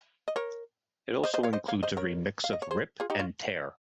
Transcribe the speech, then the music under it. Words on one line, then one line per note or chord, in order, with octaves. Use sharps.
It also includes a remix of "Rip and Tear".
D#5
A#4 C#5
C5 D#5
C5 D#5
C#5 F5
C5 D#5
C#5 F5
C5 D#5
A#4 C#5
F5
D#5
C#5
G#4 C5
F4 G#4
D#4 G4
C#4 F4